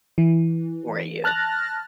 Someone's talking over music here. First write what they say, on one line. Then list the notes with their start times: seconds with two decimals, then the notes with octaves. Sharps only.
for you.
0.18 E3
1.24 A5 F6 F#6 A6 A#6